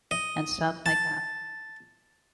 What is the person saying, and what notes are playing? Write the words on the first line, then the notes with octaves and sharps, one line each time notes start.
and stuff like that.
D#5
A5